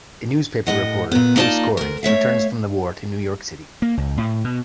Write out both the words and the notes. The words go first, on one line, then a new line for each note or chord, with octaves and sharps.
A newspaper reporter, Bruce Corey, returns from the war to New York City.
A2 D#5 F#5
A#2 B3
A#3 B3 D#4 F4 D5 A5
D2 A#4
A3 C#5 E5 F5
A#3
C#2
A2
B2